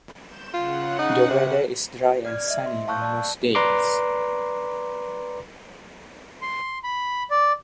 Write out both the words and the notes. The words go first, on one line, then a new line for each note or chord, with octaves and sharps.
The weather is dry and sunny on most days.
G6 E7
C#3 F4 F#5
D#4
C3
D5 F6 G#6
D#5 E5
C6
F5 A5 C#6 E6 F#6 G6
D5 A5
B4 D5 A#5 C6 D6
C6
B5
D5